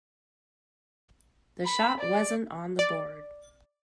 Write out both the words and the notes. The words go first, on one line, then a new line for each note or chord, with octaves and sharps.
The shot wasn't on the board.
B5
D5
D5